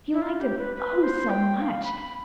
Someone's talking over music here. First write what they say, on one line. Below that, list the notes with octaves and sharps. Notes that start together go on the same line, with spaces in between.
He liked them,--oh, so much!
E4
F4
G4
B4
B4
C5
G5
G5
F5
B5